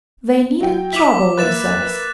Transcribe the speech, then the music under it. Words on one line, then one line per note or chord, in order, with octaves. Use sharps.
They needn't trouble themselves!
F#3 G5
E4 D6 B6
A#3 E4 B4 F#6 A6 E7